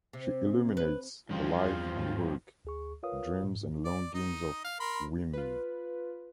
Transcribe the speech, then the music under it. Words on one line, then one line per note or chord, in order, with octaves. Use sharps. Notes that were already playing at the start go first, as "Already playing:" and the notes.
She illuminates the life and work, dreams and longings of women.
C3
B4
G2 C#3 E3 F3 G3 C4 D4 F4
E2 G#4 D5 G#5
G#2 C#5 G5
D2 G#4 C#6
F4 A#4 B4 C#5 F5 D#6
A2
G#2
D5
D#4 D#5
F5
A#4 B5 C6
F4 B4